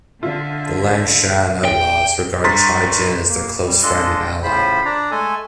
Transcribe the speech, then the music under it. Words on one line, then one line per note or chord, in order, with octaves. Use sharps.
The Liangshan outlaws regard Chai Jin as their close friend and ally.
D3 F4 E5
G5
G2 A#5 C6 A6 B6
A#3
G3
G#3 D4 F4 A4 D#5
A2 C#3 F4 C5 B5
D4 D5 A#5
G#3 A3 A4 G#5